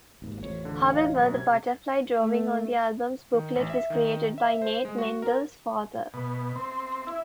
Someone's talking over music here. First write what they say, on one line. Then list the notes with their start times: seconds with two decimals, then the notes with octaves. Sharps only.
However, the "butterfly" drawing on the album's booklet was created by Nate Mendel's father.
0.22 G#1 D#2
0.43 A1 F2 C#5
0.65 D3
0.89 C#5 F5
1.14 F#2 B2
1.34 C3 G#6
2.19 A3
3.34 D#3
3.55 A1
3.70 E5
3.90 D#3
4.38 E5
4.62 C5
4.85 G#3
4.98 F#4
5.22 A#4
6.14 B2
6.56 C4
7.07 E4